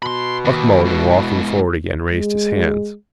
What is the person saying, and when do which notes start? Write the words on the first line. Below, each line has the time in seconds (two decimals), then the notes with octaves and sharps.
Buck Mulligan, walking forward again, raised his hands.
0.02 B2 B5 C6
0.45 D#2
0.85 G#3 E4
2.12 G#3